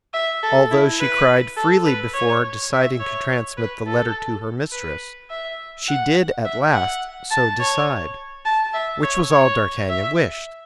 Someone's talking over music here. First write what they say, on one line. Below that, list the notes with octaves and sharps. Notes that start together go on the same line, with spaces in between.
Although she cried freely before deciding to transmit the letter to her mistress, she did at last so decide, which was all d'Artagnan wished.
E5
A4
E4
B4
A4
B4
C#5
E5
C#5
B4
A4
B4
E5
F#5
E5
F#5
A5
C#5
A5
E5
C#5
C#5
E5